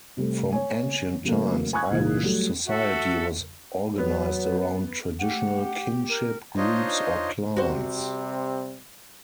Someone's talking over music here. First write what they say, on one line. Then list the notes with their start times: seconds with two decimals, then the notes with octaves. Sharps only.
From ancient times Irish society was organised around traditional kinship groups or clans.
0.17 C3 G3 A3
0.52 C#5 G#5
1.23 C#3 F#3 A3 A#3
1.73 G#5 B5 C#6 D#6 F#6 G#6
1.91 C#2 A#2 E3
2.23 F#3 G3 A3
2.66 F#4 A4 E5
3.98 F#3 B3
5.19 A3 G4 F#5
5.54 G4
6.09 A#4
6.57 D4 D#4 F4 C5 C#5 D#5
7.57 C3 G3 C4 F#4 C5